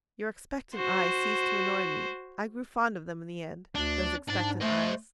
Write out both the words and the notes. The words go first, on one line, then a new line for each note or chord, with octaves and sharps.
Your expectant eyes ceased to annoy me, I grew fond of them in the end, those expectant eyes.
F#4 C5
D2 D4
G#2 D4 A5
A3 C5 D#5